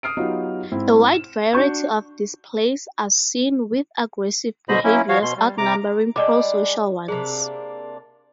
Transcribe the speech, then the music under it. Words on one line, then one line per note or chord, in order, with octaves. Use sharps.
A wide variety of displays are seen, with aggressive behaviours outnumbering pro-social ones.
D#6 F6 C7 D7
F#3 B3 D#4 F4 G4
G#2 C4 E4
E7
D4 F#4 C#6 G6
B2 D3 C5 D#5 B5
F#3 A#3 C#4 E4
F3 F#4 C#5 F5
B2 C6
G3
C3 A#5 D6
G3 G#3 D4 D5 D#5 D6
C3 A#3 D4 G#4